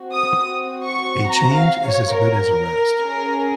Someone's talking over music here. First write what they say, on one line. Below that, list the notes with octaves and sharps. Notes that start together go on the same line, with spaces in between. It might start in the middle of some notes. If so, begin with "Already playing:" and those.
A change is as good as a rest.
Already playing: C4 F#4
D#6
C#6
A#5
F5
C#5
A#4
C#4 G#4